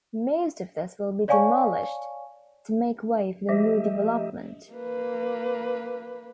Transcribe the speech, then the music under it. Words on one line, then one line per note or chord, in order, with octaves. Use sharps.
Most of this will be demolished to make way for the new development.
C#5 D5 F5 G#5 A5 C#6
F3 A3 G4 D#5 E5
A#3 B4